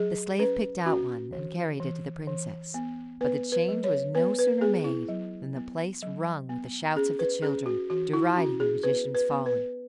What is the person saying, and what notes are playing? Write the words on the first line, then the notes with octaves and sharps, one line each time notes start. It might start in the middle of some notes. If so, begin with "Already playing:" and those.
The slave picked out one and carried it to the princess; but the change was no sooner made than the place rung with the shouts of the children, deriding the magician's folly.
Already playing: F#3 G#4
C#4 B4
C#4 F#4
E3
E3
E3
B3
B3 B4
B4
F#3
C#5
B3 B4
B4
B3 G#4
E4
F#3
B3
F#3
B3
C#4 G#4
B4
C#4 G#4
F#4
E3 F#4
E4
C#4 F#4
G#4
B3 B4
B4
B3
B4